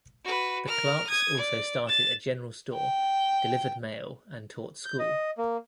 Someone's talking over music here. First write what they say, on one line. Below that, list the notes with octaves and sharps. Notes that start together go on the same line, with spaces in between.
The Clarks also started a general store, delivered mail, and taught school.
F#4 B4
A#4 F6
D#6 G#6
D5
A6 E7
G5
G6
D#5
A#3